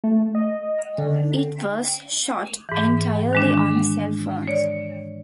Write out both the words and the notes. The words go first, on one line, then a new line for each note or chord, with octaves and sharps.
It was shot entirely on cell phones.
A3
D#5
D3
G#2 E3
D#3 G#3 D4
C#5 D5